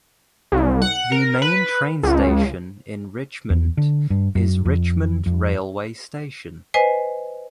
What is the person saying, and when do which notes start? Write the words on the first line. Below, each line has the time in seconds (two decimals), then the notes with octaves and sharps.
The main train station in Richmond is Richmond railway station.
0.52 C2
0.82 F#5
1.12 A#4
1.42 B4
2.03 C#2
3.50 E2
3.77 D3
4.10 G2
4.35 F#2
4.65 F2
5.26 F2
6.74 B4 C5 D#5 G#5